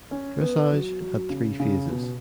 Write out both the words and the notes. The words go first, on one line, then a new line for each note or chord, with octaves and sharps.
Dressage had three phases.
C#4
B3
F#3
F#3
C#3
C#3
B2